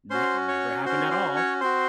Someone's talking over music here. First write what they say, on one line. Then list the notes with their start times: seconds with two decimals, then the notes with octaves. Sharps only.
ne never happened at all,
0.10 C#4 F#4 C5 C6
0.48 C#5 C#6
0.85 C#4 F#4 C5 C6
1.11 C5 C6
1.36 C#5 C#6
1.60 C4 F#4 C5 C6